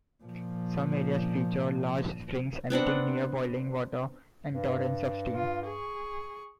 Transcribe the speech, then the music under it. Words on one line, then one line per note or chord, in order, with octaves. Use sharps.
Some areas feature large springs emitting near-boiling water and torrents of steam.
A#2 F3
B3 C4 D4 F#5
G2
F4
G#4 C#6